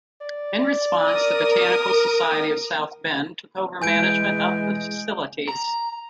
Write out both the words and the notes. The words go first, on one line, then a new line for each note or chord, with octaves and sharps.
In response, the Botanical Society of South Bend took over management of the facilities.
D5
A#4 D#6
E3 G#3 G#5 G6 D7
A#5